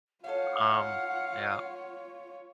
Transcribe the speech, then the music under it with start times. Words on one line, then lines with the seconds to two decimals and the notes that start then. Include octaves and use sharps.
um yeah,
0.24 C#4 D#4 F4 A4 C#5 F5 F#5